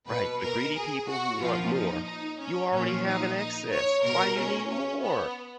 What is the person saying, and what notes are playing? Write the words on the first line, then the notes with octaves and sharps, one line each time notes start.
Right, the greedy people who want more, you already have an excess. Why do you need more?
B2 B4
A#4
G#4
F#4
A#2 F3 F4
D#4
D#4
C#4
A#2 F3 C#4
D#4
D#4
C#5
B2 A#4
C#4
C#4
B3